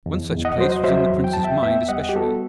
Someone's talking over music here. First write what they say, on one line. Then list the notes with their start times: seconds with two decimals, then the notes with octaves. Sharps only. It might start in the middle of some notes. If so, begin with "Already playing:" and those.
One such place was in the prince's mind especially.
0.06 E2
0.31 E2
0.45 D#5 F#5
0.58 F#3 C5
0.72 D#5
0.84 F#3 C5 E5
1.10 E2
1.24 G5
1.33 E2 A5
1.43 E5 G5
1.63 B3 E5 G5
1.88 G3 D#5 F#5
2.09 G4
2.15 B3 F#4 A4